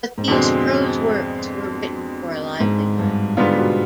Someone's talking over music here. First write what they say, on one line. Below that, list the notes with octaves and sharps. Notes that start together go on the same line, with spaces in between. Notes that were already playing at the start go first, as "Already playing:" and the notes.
But these prose works were written for a livelihood.
G#2
F2 B2 D3 G#3 C4
G#2
G2
G#2 D3 G3 B3 F4
B2